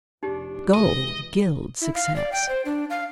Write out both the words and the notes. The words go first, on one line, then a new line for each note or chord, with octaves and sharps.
Gold gilds success.
F1 D4 D#4 G4
C#2 E3 D#5
E4
F5
D5
G5
C5
D4
F5